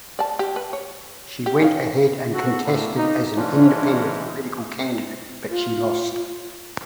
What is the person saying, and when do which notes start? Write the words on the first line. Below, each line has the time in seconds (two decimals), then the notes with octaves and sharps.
She went ahead and contested as an Independent political candidate but she lost.
0.19 D5 A5
0.39 G4
0.56 B4
0.73 C#5
1.46 G4
1.62 C#4 F5
2.34 F#4 A4
2.64 A2 A#3
2.97 D#4
3.37 G#2 E3 C#4 D4 F4
5.49 F4